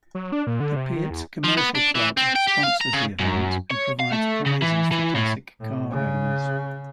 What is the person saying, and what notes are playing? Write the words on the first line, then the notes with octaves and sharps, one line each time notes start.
The Pierz Commercial Club sponsors the event and provides prizes for classic car owners.
F#3
D4
A#2
D3
C3
D#3
E2
F3
B3
D4
E3
C4
G5
G4
F5
A#5
C#3
F#2
C#5
F5
A3
C#3
E3
E3
A2
A2
C#3